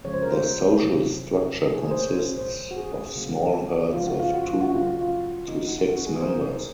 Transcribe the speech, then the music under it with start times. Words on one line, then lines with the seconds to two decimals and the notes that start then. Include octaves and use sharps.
The social structure consists of small herds of two to six members.
0.04 C#3 F3 G#3 C#5
0.14 C5
0.23 A#4
0.32 C5
0.82 C3 F#3 A#3
1.60 C3 F3 A#3
1.75 G#4
1.83 A#4
1.91 C5
1.99 C#5
2.37 A#2 F3 G#3 C5
2.71 F#4
2.76 G#4
3.15 C#3 F#3 A#3
3.93 C#3 F3 G#3 F4
4.06 F#4
4.20 F4
4.33 F#4
4.47 F4
4.61 F#4
4.70 C#3 F#3 A#3 F4
4.87 F#4
5.01 F4
5.48 C#3 F3 A#3 D#4
5.67 F#4
5.87 F#4
6.06 G#4
6.21 C5
6.26 C3 F#3 A#3 A#4